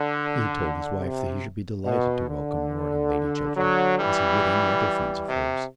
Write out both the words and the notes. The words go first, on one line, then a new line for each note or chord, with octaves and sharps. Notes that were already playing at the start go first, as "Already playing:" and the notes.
He had told his wife that he should be delighted to welcome Lord and Lady Chiltern,--as he would any other friends of hers.
Already playing: D3
C3
B2
D3
D3 F#3
E3 G3
C3